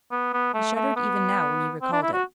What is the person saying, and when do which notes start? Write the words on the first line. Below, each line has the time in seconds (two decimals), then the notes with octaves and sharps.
He shuddered even now when he recalled it.
0.11 B3
0.33 B3
0.54 A3
0.76 A3
0.97 B3
1.82 C4
1.93 D4
2.03 E4
2.13 F#4